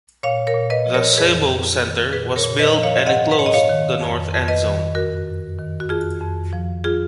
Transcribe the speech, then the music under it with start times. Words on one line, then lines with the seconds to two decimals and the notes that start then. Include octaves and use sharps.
The Sebo Center was built and enclosed the north endzone.
0.23 A#2 C#5 F5
0.47 A#4 C#5
0.54 A#2
0.70 B4 D#5
0.86 F3
0.94 A#4 C#5
1.18 F2 G#4 B4
1.49 F2
1.81 D#3
2.13 A#2 G#4 B4
2.36 A#4 C#5
2.44 A#2
2.59 B4 D#5
2.71 F3 D#5
2.83 C#5 F5
3.06 G#2 D#5 F#5
3.31 B4
3.38 G#2 C#5
3.46 D#5
3.53 C#5 F5
3.70 D#3
4.01 F2
4.33 F2
4.48 B4 D#5
4.64 D#3
4.95 F#2 F#4 A#4
5.27 F#2
5.59 D#3
5.80 F#4
5.89 F2 F4 G#4
6.21 F2
6.53 F3
6.84 F4 G#4